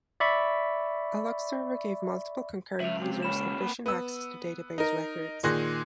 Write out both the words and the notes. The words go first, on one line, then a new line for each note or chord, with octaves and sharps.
A lock server gave multiple concurrent users efficient access to database records.
D5 E5 B5 C#6
C#2 A2 E5 F7 F#7
C3
A#2 C#4 B5 E7
A#3 B4
B3 E6
D#4 A#4
A#2 D#3 G#4 C6 F#6 A#6